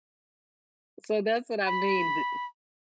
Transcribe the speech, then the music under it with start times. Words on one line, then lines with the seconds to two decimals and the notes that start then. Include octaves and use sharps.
So that's what I mean the
1.66 B5